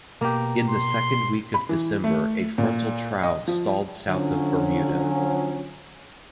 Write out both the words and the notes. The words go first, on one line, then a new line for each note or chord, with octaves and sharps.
In the second week of December, a frontal trough stalled south of Bermuda.
B2 A#3 G4 A#5
C6
B5
E3
A3
A#2
D#5
F3
D3 F3 F#3 C#4